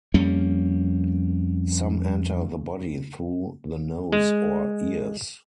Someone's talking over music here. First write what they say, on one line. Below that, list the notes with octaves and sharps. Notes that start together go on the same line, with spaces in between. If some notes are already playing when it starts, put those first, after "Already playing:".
Some enter the body through the nose or ears.
F2 G3 A#3 C#4
G#3